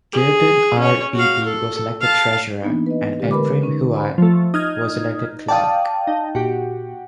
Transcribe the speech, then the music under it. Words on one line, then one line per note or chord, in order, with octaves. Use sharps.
Guerdon R. Beebee was elected treasurer, and Ephraim Huyatt was elected clerk.
G#4
C#4 C#5
F#4 F5
A4
F5 A5
E3 A#3 B3 D4 D#4
B4 D#5
D3 G#3 A3 C#4 G4
A#4 B4 B5 D6
D3 C#4 D#4
C5 B5
F3 A3
D#4 D#6 F6 G#6
D5 F5 G5 A5 D#6
D#4
A#2 F#4 G4